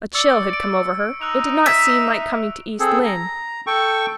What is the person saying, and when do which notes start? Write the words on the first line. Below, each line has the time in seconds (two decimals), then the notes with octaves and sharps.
A chill had come over her; it did not seem like coming to East Lynne.
0.14 D5 C#6 E6 C#7
0.53 D7
1.21 D#4 E6 F#6 F7
1.66 E5
2.80 C4 G#4 A4
3.05 A#5
3.67 A4 G5 C#6